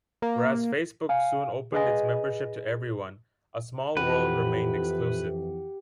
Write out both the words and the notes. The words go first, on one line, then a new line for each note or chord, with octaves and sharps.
Whereas Facebook soon opened its membership to everyone, A Small World remained exclusive.
A#3
F5 G#5
G#4 B4 D#5 G#5
F2 E3 F#4 G4 B4